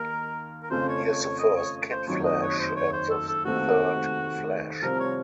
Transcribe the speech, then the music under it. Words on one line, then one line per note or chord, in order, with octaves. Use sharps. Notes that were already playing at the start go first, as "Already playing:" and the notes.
He is the first Kid Flash and the third Flash.
Already playing: D#2 D#3 A#3 D#4 A#4
A#4
F2 C#3 A3 C#4 F4 C5
C#5
C#5
C#5
D#5
C#5
C5
F#1 F2 D#3 F#3 C#5
D#5
C#5
C5
C#5
C5
A4
A4
F1 D#2 D#3 A3 C4 F#4
C2 C3 F3 C4 A#4
C#5